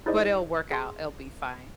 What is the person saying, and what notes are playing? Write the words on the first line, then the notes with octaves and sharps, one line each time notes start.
but it'll work out, it'll be fine.
D#4 E4 G#4 C5 D5 D#5
G#4 C6